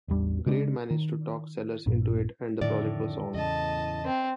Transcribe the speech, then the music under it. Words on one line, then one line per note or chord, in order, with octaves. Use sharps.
Grade managed to talk Sellers into it and the project was on.
A1 E2 G3 D4
C#3 G#3 D4
D#3
A#1 G2 A#2
F2 A2 D3 D#3 D5
E2 C#3 D#5 A5
C4